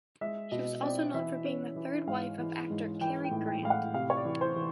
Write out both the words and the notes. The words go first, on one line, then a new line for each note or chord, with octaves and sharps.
She was also known for being the third wife of actor Cary Grant.
G#3 E5
B2 D#5
C4 D5
E3 E5
C#4
E3
G#2 F5
E3
G#2
E3 G5
G5
A2
G5
A2 F5
F#5
C3 F5
C#5
D5
E3
C5
E3